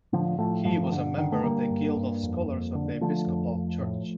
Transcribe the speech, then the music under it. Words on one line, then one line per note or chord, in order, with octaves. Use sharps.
He was a member of the Guild of Scholars of The Episcopal Church.
A2 D3 F3
A2 F3 A3
G2 F3 A3
D#3
G2 D3
D3 D#3
A3
D3 G3 A#3
G2
G2
F2
F2
D3
D3 F3 A3
F2
F2
A2